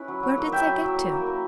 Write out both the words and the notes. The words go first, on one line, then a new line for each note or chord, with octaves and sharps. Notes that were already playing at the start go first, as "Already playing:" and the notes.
Where did they get to?
Already playing: C#4 E4 B4
F#3
F#3
A#3
E4 E5 G5
F#3
F#3
A#3
A#3
A#3